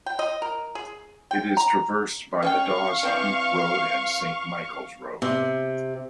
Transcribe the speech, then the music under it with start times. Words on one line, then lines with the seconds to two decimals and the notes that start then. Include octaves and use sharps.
It is traversed by the Daws Heath Road and Saint Michael's Road.
0.06 G5
0.19 D#5
0.42 A#4
0.75 G#4
1.31 G5
1.57 A#5
2.42 C#4 C#5 F5 G5 C#6
3.03 E3 C4 D5
5.22 C3